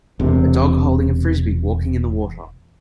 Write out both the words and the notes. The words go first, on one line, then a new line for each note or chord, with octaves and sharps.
A dog holding a Frisbee walking in the water.
E1 C3